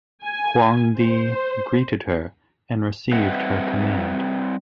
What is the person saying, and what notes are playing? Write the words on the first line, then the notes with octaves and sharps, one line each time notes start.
Huangdi greeted her and received her command.
G#5
C5
G3 C4 B4 D#5 E5 F#5